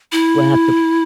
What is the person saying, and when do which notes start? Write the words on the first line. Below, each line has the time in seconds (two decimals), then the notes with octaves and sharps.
we'll have to
0.12 E4